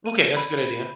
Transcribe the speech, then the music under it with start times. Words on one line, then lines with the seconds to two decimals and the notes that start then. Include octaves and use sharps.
Okay, that's a good idea.
0.06 D#7
0.37 B5